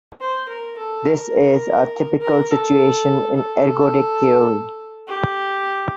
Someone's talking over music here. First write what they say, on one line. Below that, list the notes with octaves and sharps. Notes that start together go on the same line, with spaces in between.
This is a typical situation in ergodic theory.
C5
A#4
A4
A#4
A#4
A4
A4
G4